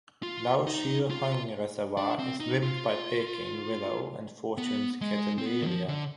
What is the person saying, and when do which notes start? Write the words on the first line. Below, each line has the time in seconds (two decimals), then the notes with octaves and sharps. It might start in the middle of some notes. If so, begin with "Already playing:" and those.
Lau Shui Heung Reservoir is rimmed by Peking willow and Fortune's keteleeria.
0.23 F4
0.67 D#4
1.11 F4
1.97 D4
2.19 C4
2.40 D#4
2.63 F4
4.58 B3
5.01 G#3
5.38 C4
5.46 B3
5.62 D#3
5.66 F3
5.88 D3